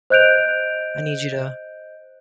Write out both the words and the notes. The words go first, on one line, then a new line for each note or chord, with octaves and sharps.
I need you to
C5 D#5 F#6 G6 D7 F7